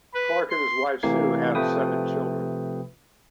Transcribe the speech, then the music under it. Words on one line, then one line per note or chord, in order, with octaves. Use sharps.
Clark and his wife, Sue, have seven children.
B4
C6
A2 C3 E3 A#3 G#6 C7
C3 F3 A3 B4 G5 D#6